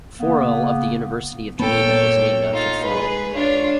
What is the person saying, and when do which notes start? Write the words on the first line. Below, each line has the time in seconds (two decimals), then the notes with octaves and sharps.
Forel of the University of Geneva is named after Forel.
0.18 C#3 A#3 B3
1.60 A#2 B3 A4 C#5 G5
2.51 D#4 F4
2.83 G#3 G#4 B4
3.34 D4 F4 C#5